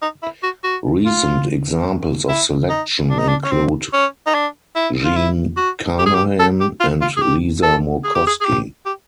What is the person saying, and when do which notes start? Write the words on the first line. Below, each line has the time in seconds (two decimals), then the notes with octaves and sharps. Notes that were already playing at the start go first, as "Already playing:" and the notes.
Recent examples of selection include Jean Carnahan and Lisa Murkowski.
0.02 D#4
0.22 E4
0.43 F#4
0.64 F#4
1.06 F4
2.29 E4
2.69 D#4
3.10 D4
3.19 D#4
3.28 D4
3.44 C#4
3.52 C4
3.93 C#4
4.26 D#4
4.34 D4
4.76 E4
5.05 F4
5.16 E4
5.57 F#4
5.99 G4
6.06 G#4
6.15 G4
6.39 A4
6.60 G4
6.80 F4
7.01 F4
7.17 G#4
7.22 G4
7.63 A4
8.04 G#4
8.15 G4
8.27 G#4
8.41 G#4
8.45 G4
8.86 G4